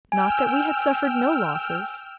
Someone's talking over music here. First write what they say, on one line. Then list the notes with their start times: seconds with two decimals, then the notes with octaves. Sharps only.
Not that we had suffered no losses.
0.12 G5 G#5 E6 F6